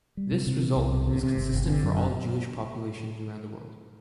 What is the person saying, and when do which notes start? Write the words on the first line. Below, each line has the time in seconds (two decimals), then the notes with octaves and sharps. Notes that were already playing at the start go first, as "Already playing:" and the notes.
This result is consistent for all Jewish populations around the world.
0.17 G3
0.32 C3
0.47 C3
0.62 E3
0.77 C2
0.93 C3
1.07 C3
1.23 C3
1.38 G1
1.54 G1
1.69 D3
1.84 F#2